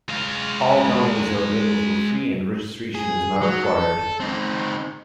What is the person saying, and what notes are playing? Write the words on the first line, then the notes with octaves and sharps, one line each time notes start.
All downloads are available for free and registration is not required.
G#3 F5
G#4
F#3
A4
C4 D#4